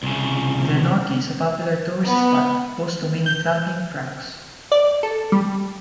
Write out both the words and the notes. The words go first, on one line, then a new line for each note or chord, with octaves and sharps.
Glenorchy is a popular tourist spot, close to many tramping tracks.
C2 C#3
B3
G6
D5
A4
G3